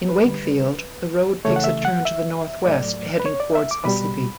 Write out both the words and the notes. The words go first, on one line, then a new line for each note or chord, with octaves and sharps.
In Wakefield, the road takes a turn to the northwest heading towards Ossipee.
B4
D3 G3
C#3 E3 A3 C#5
F#5
E5
F#5
E5
A2 F#3 A3 D5
B4
C#5
D5
E5
D6
B2 G3 B5